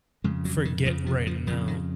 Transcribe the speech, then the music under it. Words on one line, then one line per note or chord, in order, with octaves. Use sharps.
forget right now.
F2 C#3 G#3
F#3
D#3
F2 C#3 F3
F3
F3
F2 C#3 F3
D#3